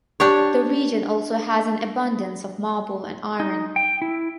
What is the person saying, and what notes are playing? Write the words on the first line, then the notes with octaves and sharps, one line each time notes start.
The region also has an abundance of marble and iron.
D4 G4 C#5
D#4
G5
E4